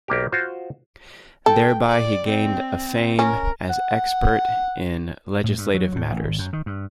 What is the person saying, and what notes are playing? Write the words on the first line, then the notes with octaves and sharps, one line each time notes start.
Thereby he gained a fame as expert in legislative matters.
B1 A#3 G4
F4 F#4 C5
A4 G5
D5
C4
C#4 A#4
F#5
A2
G2
F#3
A2
A1
G#1
F#2
D#3
G2